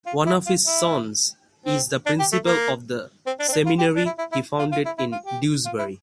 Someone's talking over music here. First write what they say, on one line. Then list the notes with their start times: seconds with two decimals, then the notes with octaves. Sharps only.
One of his sons is the principal of the seminary he founded in Dewsbury.
0.06 F4
0.26 E4
0.46 F4
0.66 E4
1.66 C4
2.06 D4
2.19 G4
2.32 A3
2.45 A#3
3.26 C4
3.40 D4
3.48 C4
3.52 D4
3.66 F4
3.79 G4
3.96 D4
4.05 E4
4.18 E4
4.32 E4
4.59 F4
4.72 F4
4.85 E4
4.98 E4
5.12 F4
5.26 G4
5.65 F4
5.79 E4